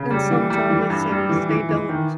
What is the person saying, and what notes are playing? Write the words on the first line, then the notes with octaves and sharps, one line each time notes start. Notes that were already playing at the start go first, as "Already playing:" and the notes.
And some job listings, they don't
Already playing: C#3
G3
E3
G3
E3
G2
G3
E3
E3
E3
D#3